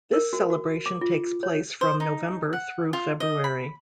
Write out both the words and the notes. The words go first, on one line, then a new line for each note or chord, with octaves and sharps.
This celebration takes place from November thru February.
A#4
F#4
F#4
D6
F4
C#5
C5
D#4
F#5
F4
D#5
B5